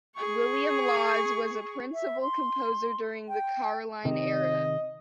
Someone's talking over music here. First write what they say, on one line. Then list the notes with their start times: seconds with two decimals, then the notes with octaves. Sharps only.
William Lawes was a principal composer during the Caroline era.
0.16 G#4 C#6
1.94 E5
2.22 C6
3.29 G5
4.05 C3 D#3 D#5